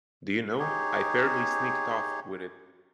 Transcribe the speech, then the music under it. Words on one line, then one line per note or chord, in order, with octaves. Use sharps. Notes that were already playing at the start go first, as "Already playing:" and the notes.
Do you know, I fairly sneaked off with it.
D#4 G4 G#4 C#5